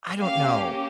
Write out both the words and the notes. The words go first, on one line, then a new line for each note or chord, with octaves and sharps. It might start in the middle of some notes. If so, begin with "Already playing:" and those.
I don't know.
A#3 C#4 G4 F5